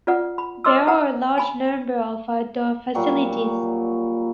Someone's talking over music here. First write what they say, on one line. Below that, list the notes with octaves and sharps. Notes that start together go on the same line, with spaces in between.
There are a large number of outdoor facilities.
F4 B4 D5 F#5
B5
B4 D#5 C6 D6 E6
B4 F#5 A#5
G#5 B5
A#2 F#3 G3